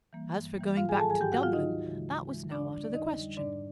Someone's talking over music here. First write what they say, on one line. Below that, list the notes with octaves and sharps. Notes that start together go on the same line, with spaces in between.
As for going back to Dublin, that was now out of the question.
E3 G3 A#3
G2
E3 G3 A#3
G#2 F4 F5
G#4 G#5
D#3 F#3 A4 A5
G#4 G#5
G#2 G4 G5
F#4 F#5
D#3 F#3 F4 F5
D#4 D#5
D2
C#3 E3 G#3
D2
C#3 E3 G#3
F2 D4 D5
D3 G3
D5
F2 D#4 D#5
D3 G3
G#2 D4 D5